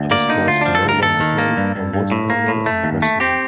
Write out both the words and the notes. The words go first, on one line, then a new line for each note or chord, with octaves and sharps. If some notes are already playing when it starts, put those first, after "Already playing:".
Other sports no longer played are water polo and wrestling.
Already playing: D2
A#3 D5
D3 D#4
D2 F4
F3 D4
A4
D2 A#4
D#2 A4
D#3
A#3
G2
G2
G2
A2
A#3
A2
A3
D#2
A3
C4 G4